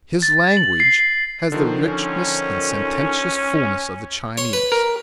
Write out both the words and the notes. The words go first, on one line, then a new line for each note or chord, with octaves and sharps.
His language has the richness and sententious fullness of the Chinese.
A6
F#7
C7
D3 D#3 F3
C#4
C#5 C6
B4
A#4